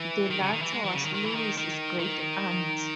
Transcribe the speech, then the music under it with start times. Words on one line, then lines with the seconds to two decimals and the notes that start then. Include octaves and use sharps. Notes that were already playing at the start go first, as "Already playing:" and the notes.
The latter was Louis's great-aunt.
Already playing: E3
0.30 D#3
0.41 C#3
0.51 D#3
0.62 E3
0.72 G#3
0.84 E3
0.94 C#3
1.04 D#3
1.14 D#3
1.25 E3
1.35 D#3
1.57 D#3
1.99 D#3